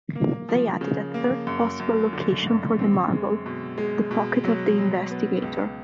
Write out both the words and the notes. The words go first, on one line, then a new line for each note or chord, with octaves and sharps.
They added a third possible location for the marble: the pocket of the investigator.
A#3
F3
C#3
A#3
F#2
F#2
D3
F#2
C4
G#3
B2
G#3
B2
F#3
F#3
B3
C#2